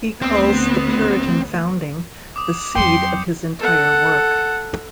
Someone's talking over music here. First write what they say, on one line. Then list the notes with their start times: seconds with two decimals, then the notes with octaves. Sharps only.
He calls the Puritan Founding the "seed" of his entire work.
0.22 D2 B3 C4
2.36 D6 D#6
2.75 F2 F#3 G5 C6 G6 C#7
3.59 A4 F#5